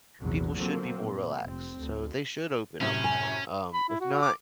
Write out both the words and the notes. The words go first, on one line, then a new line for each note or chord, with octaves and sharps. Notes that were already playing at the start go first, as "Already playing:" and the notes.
people should be more relaxed, so they should open up more, um, if not,
A#1 E2 C3 F#3
D3 F3 F#3 A#3 C4
A#2
F1 C4
D2
F#2 A2 C3 C#4
G#5
B5
E4
F#4
D6